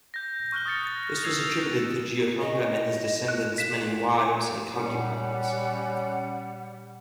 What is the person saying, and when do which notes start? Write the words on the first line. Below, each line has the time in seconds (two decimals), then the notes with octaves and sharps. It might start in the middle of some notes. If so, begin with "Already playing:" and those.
This was attributed to Giocangga's and his descendants' many wives and concubines.
0.14 G6 A#6
0.52 C#6 F6 F#6 G7
0.66 D#6 F6 A6 A#6 C#7
0.85 A6 A#6
1.24 E6 F6 G#6 C7 F7
2.41 D#5
3.28 F#6
3.58 F5 B6 E7
4.76 A#2 G3 C#4 F#5